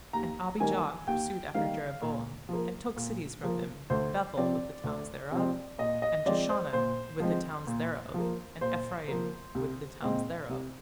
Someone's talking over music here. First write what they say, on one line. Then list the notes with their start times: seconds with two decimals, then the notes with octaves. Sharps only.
And Abijah pursued after Jeroboam, and took cities from him, Bethel with the towns thereof, and Jeshanah with the towns thereof, and Ephraim with the towns thereof.
0.13 D#2 A#5
0.60 D#3 G3 A#3 G#5
1.07 D#2 G5
1.54 D#3 G3 A#3 F5
2.02 A#2
2.49 F3 A#3
2.97 A#2
3.43 F3 A#3
3.90 D2 C5
4.37 C3 F3 C4 D5
4.84 D2
5.31 C3 F3 C4
5.79 A#2 D#5
6.02 D#5
6.26 F3 G#3 C4 D5
6.49 C5
6.73 A#2 C5
7.20 F3 G#3 C4
7.67 A#2
8.14 F3 A#3
8.61 A#2 C5
9.08 F3 A#3
9.55 C2
10.02 A#2 G#3 C4
10.49 C2